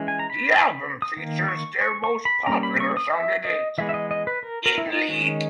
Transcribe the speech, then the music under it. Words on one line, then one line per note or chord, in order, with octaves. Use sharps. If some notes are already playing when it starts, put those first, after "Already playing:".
The album features their most popular song to date, "In League".
Already playing: E3 G#3 C#4
G#5
A#5
B5
D#6
D#3 A#3
C#6
C#6
C#6
B5
G3 A#3 C#4 A#5
B5
C#6
D#6
E5
D#5
E3 G#3 B3 E5
E5
D#5
D#5
B4
A#4
A#4
E4
D#4
D#3 G#3 C#4